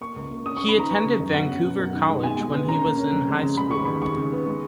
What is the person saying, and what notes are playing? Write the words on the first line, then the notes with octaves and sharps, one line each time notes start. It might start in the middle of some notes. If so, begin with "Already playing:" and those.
He attended Vancouver College when he was in high school.
A#3 C#6
C#2
A#3
C#4 D#6
C#6
C#4
B5
D#3 A#5
B3 C#6
C#3
F#2
B2 F#5
C#4
B2
F#2
D#3
G#3
B2 G#5
G#3
B3
C#4 A#5
A#3
C#4
F2
G#3
C#3
G#3 B5
D#2 C#6
D#2 B5
G#3 C#6
C#3
B3
G#3